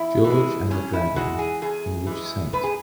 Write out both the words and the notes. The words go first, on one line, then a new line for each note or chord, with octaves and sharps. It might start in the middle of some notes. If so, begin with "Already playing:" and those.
George and the Dragon, in which St..
Already playing: E2 E4
E3
G#3
E2 C#4
E4
E3 G#3 F#4
G#4
E2 G#4
E3 G#3
F#2 B4
G#4